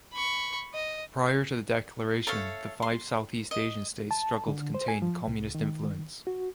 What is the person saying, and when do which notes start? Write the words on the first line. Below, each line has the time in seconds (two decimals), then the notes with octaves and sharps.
Prior to the declaration, the five Southeast Asian states struggled to contain communist influence.
0.13 B5 C#6
0.74 D#5
2.27 A4 C#5 E5 F5
2.82 C6
3.51 D#5
4.11 A5
4.48 D3
4.74 C5
4.88 G#5
5.02 F3
5.27 C2
5.55 D#3
6.27 F#4